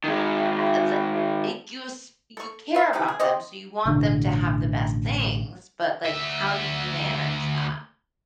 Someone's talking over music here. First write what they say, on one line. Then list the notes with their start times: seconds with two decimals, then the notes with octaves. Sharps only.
uh th you s you care about them, so you want them to have the best things. But, like, how do you manage that?
0.04 D#3 G#3
2.37 A4 C#6
2.75 B4 E5
2.93 C3 E3 D#4 G4
3.08 G#4
3.20 C4 G4 C5 D#5
3.85 A1 B2 D3 D4
6.06 D2 E5